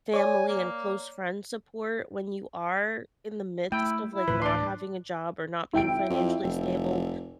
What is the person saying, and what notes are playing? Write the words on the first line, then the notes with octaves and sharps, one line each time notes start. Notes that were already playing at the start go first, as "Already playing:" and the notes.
family and close friend support when you are in the midst of, like, not having a job or not being financially stable,
C#5 D5 G#5
A#3
A3 E4 G5
E4
D2 A2 E3 B4
D4 D5 C6
G#1 E4 G5 D7
F2
F1